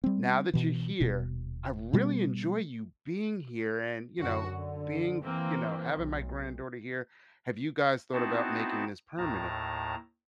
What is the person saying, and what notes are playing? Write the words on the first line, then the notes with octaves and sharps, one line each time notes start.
now that you're here, I really enjoy you being here and, you know, being you know, having my granddaughter here have you guys thought about making this permanent?
G3 C4
B2 E3
D#1 B2
B2 G3 G#3 B3
F#2 D3 F#4
D3
E3 A#3 C4
B1
B3 C4 D#4 E4 F#4 A5
D#2 A2 A5 A#5